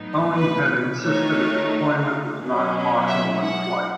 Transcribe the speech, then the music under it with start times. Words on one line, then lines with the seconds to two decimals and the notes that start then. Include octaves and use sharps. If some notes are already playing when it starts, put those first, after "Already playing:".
Boeing had insisted that a deployment was not possible in flight.
Already playing: A2 F#3 B3 D#4
0.36 B4
1.04 D#3 A3 D#4 C#5
2.40 B2 F#3 C#4
3.08 E5
3.42 F#5